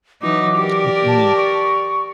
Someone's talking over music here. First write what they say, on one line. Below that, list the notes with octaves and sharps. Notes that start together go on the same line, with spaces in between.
took me
E3 F#3 D#4 D6
G4 A#4 D5
A5
C#6